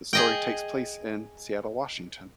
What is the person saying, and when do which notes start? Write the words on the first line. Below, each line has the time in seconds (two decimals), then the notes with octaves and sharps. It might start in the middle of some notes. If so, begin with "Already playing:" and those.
The story takes place in Seattle, Washington.
0.13 G#4 D#5 G5